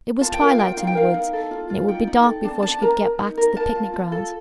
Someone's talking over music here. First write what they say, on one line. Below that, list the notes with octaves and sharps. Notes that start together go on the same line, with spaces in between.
It was twilight in the woods, and it would be dark before she could get back to the picnic-grounds.
F4 A5
G5
A#4
F5
F4 G5
D#4 F5
G5
A#4 F5
D#4
A4
F4
F4
D#4 G5
D#4
A4
D4 A5
D4 A5
A#4 A#5
A#4
D#4
A#4
A#4 A5
F4
F4
A4